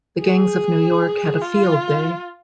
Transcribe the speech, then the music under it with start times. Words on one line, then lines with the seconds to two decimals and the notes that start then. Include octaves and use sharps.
The gangs of New York had a field day.
0.20 G#4
1.42 F4